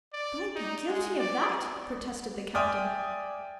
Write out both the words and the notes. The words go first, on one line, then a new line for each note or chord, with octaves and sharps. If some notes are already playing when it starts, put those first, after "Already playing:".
"Could I be guilty of that?" protested the Captain.
D5
D#4
G#3
D5
D5 E5 G5 G#5 D#6 F6